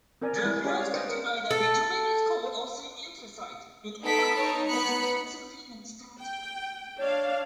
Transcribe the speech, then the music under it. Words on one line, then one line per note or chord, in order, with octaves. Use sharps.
The fields contain either bituminous coal or semi-anthracite, and all occur within Pennsylvanian strata.
C4 A#4 D5 G#5
G3 G#3 E4 G#5
C#4 G4 G#4 C#5 D5 G#5
C#5 F5
B4 C5 D#5 G5
A#4
A4
B3 D#4 A4 B6 D7
D#4 C#5 A5
B3 D#4 B5 F#6 C#7
G5
D4 C#5 F5